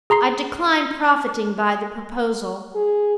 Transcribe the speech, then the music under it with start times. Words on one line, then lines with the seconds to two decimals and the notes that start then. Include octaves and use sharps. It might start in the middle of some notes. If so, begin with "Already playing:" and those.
I decline profiting by the proposal.
0.10 G#4 A#5 C6 C7
2.75 G#4